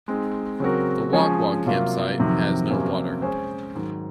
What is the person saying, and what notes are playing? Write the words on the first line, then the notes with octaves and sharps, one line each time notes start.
The Wog Wog campsite has no water.
G#3 C4 D#4
C#3 F#3 C4 F#4 A#4
F3 G#3 C#4 G#4 C#5
C3 F#3 A#3 F4
F2 C3 D#3 F#3
F2 C3 F#3 A#3 C#4
G#3 C#4 G#4 C5
G#2 D#3 F#3